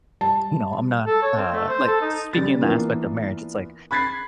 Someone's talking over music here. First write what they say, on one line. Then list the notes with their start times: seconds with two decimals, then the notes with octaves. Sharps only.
you know, I'm not, uh, like speaking the aspect of marriage, it's like,
0.21 G3 A5
1.06 A4
1.22 C#5
1.37 C4
1.52 A3
1.68 C5
1.87 A4
2.01 D#4
2.33 C#3 G3 A6
2.61 E3 A#3 B3 D4 F4
3.91 B5 F#6 G#6 A6 B6 C7